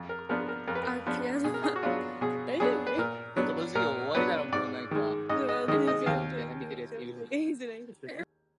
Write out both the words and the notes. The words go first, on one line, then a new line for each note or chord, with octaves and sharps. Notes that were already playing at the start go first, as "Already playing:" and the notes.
At the advance resumed towards Hessian Trench, which was taken easily.
Already playing: F2
A#4
F3 B3 D4 A#4
A#4
F2 A#4
B4
A#4
F3 B3 D4
B2 G#4
A#4
G#4
F#4
F#3 B3 D4 F4
B2 G#4
F#3 B3 D4 G#4
B4
A#2 A#4
F#3 B3 D4
A#2 A#4
F#3 B3 D4 B4
G#2 D5
D#3 G#3
G#2 D#5
D#5
D#3 G#3 D#5
D#5
D#2 F5